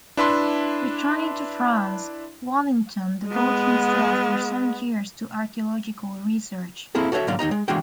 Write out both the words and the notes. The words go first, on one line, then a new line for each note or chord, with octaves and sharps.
Returning to France, Waddington devoted himself for some years to archaeological research.
D4 E4 B4 E5 A5 C6
G#3 B3
A#3 C4 E4 G#4 A4
F#4 A4 C#5 D#5 E5
G#2 D3 F#3 A#3 D5 F5
D#2 D#4 D#5 A#5
G#3
E3 G#3 A#3 D4 F#4 G5